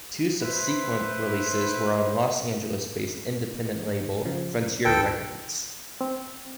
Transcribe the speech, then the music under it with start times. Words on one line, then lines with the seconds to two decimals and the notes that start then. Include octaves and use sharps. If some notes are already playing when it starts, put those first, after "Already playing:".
Two subsequent releases were on Los Angeles-based independent label Frontier Records.
0.43 E4 B4 C5
4.25 C#3 F3
4.85 D2 A4 B4 G5
6.01 C4